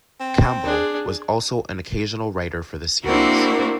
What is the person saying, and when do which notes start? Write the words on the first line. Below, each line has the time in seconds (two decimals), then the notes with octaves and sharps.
Campbell was also an occasional writer for the series.
0.20 C4
0.65 D4 G#4
3.04 A#3 C4 D4 E4 F#4 A#4